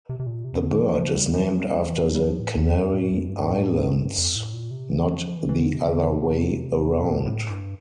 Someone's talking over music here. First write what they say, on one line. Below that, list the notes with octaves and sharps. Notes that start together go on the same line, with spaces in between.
The bird is named after the Canary Islands, not the other way around.
C3
C3
A#2
C3
D3
F3
F3
G3
F3
G3
E3
F3
G3
F3
A2
E2
F2
A2
F2
G2
A2
G2
F2
A2
A#2
C3
E3
F3
E3
E3
D3
C3
D3
C3
C3
A#2
A2
G2